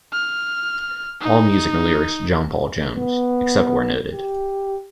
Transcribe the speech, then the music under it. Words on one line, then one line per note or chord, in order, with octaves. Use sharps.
All music and lyrics John Paul Jones, except where noted.
F6
D#4
B3
G4